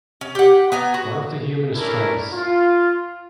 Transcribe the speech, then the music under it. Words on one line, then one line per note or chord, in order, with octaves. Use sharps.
One of the human strains.
C#4
G4 F#5
B3 G#5 A#5
F#4
A3 C#4 D4 E4 A#4
F4